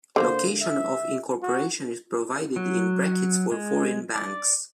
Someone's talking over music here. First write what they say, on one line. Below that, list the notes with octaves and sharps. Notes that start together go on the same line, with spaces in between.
Location of incorporation is provided in brackets for foreign banks.
D3 A3 A#3 C5
E5
F#4
F#3
G#3
D5